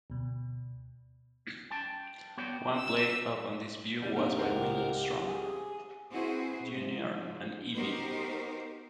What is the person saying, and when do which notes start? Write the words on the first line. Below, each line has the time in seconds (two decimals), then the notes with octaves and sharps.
One play upon this view was by William Strunk, Junior and E. B.
0.10 D2 B2
1.70 G5 A5
2.37 B3 F#4 C#5 D5 G5
2.77 E6
4.02 F1 G3
4.16 A#3 D4 D#4 G4 A#4
4.39 C#2 C4 F#5 G5
5.28 G#4
6.11 C4 E4 F#4 G#4 B4 C5
6.73 G#2 F3
7.76 B3 D#4 F#4 G4 A#4 C5